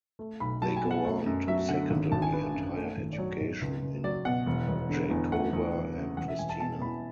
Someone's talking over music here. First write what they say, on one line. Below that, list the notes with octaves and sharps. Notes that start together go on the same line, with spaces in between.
They go on to secondary and higher education in Gjakova and Pristina.
A3
B1 B5
F#3 A5
G#5
B2
F#5
A3
F#2
F#3 E5
D3 F#5
G#1
G#1 A5
G#5
D3 B4
F#2
A3
G#1
D5
F#3 C#5
G#2
C#2
C#2
F#3 D5
B2 F#5
E1
E1
D3
E2
A3 F#5
E2
E3
C#3
E1 F#5
E5
E1 G#5
A5
B2 A5
E2 B5